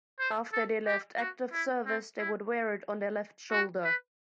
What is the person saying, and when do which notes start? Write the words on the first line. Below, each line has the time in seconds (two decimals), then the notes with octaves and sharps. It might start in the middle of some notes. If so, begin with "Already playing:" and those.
After they left active service, they would wear it on their left shoulder.
0.19 C5
0.53 A4
0.87 G4
1.19 F#4
1.53 E4
1.86 C4
2.19 E4
3.51 F#4
3.85 B4